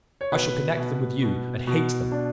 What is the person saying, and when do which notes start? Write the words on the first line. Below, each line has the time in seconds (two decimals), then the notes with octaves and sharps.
'I shall connect them with you, and hate them.'
0.21 C#5
0.32 B2 B4
0.77 B2
1.22 B2
1.67 B2
2.12 D4